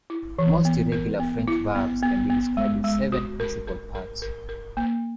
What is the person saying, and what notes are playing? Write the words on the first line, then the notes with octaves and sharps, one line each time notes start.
Most irregular French verbs can be described with seven principal parts.
E4
E3
B3
A#4
B3
E4
B3
B3
B3
G#3
G#3
F#4
A#4
A#4
A#4
A#4
A#4
A#3